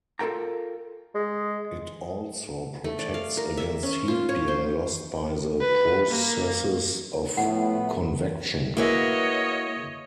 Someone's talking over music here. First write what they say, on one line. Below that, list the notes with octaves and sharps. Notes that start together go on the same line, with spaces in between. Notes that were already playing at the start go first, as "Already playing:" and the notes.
It also protects against heat being lost by the processes of convection.
F4 A4 A#4 G5 A#5
G#3
A3
D5
F5
A#4
E5
C#4
F4
C#5
C5
B4
A#3
A2 F3 A3 B3 F#5
A#3 E4 F#4 G#4 B4 C#5 D#5 E5